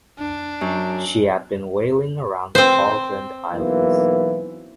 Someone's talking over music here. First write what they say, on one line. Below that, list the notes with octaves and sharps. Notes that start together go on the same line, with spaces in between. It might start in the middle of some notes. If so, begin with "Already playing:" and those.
She had been whaling around the Falkland Islands.
D4
F#2
C4 C5
B1 E3 A#3